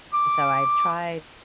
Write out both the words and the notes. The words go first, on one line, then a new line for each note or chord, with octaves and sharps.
so I've tried
D6